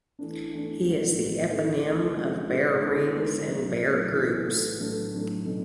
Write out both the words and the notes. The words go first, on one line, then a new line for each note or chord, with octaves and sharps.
He is the eponym of Baer rings and Baer groups.
E3 A3 D4
E3 A3 D4
A2 G#3 B3 F#4
A2 G#3 B3 F#4
D3 A3 C#4 E4
D3 A3 C#4 E4
G#3 D4 F#4 A4
G#3 D4 F#4 A4
D3 G#3 B3 E4
D3 G#3 B3 E4
A2 F#3 C#4
A2 F#3 C#4
A2 E3 B3 F#4 A4
A2 E3 B3 F#4 A4
A2 F#3 A3 D4 A4
A2 F#3 A3 D4 A4
B2 F#3 A3 C#4 E4